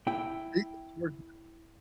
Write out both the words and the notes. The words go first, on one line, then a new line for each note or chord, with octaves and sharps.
Beat the coordinates.
E4 G5